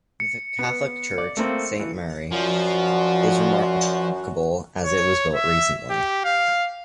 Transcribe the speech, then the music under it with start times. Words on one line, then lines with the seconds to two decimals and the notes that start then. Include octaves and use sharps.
The Catholic Church "Saint Marien" is remarkable as it was built recently.
0.20 C#7
0.59 B3
1.18 D5
1.37 A3 A#3 C4
1.80 E3
2.31 F#2 F3 F#4 D5
4.85 C#5
5.35 E5
5.90 G4
6.25 F5